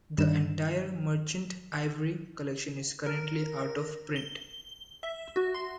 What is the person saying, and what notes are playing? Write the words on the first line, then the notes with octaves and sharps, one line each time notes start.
The entire Merchant Ivory Collection is currently out of print.
G2 D#3 G3 D4 E7
A#4
G7
E5
F#4
C6